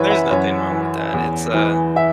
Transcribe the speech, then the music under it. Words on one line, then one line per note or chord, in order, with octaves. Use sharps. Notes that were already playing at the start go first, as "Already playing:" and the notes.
there's nothing wrong with that. It's, uh,
Already playing: F#2 E3 B4 C#5 E5 F#5
E5
F#2 C#5
E3
E2
E3
E5